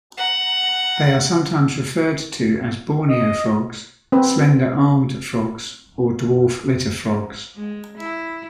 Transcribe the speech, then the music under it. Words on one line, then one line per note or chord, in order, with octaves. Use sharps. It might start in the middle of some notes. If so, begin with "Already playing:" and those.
They are sometimes referred to as Borneo frogs, slender-armed frogs, or dwarf litter frogs.
F#5 A#5
D#5
C4 B4
G#3
E4